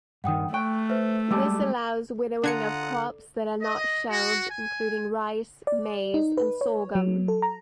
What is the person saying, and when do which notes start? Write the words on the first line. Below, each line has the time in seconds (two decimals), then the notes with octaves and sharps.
This allows winnowing of crops that are not shelled, including rice, maize, and sorghum.
0.24 G2 D#3 F#5 G5 D#6
0.54 A3 G5 C#6 F#6
0.90 B4 C5 E5
1.31 G3 G#3 G4 A5 D6 E6
2.44 D3 D4 F4 F#5 A#5 D#6 G#6 C#7
3.62 D#5
4.09 F#4
4.49 G#5
5.67 D5
6.14 D#4
6.37 B4
6.61 C#5
6.95 F#3
7.28 A4
7.42 A#5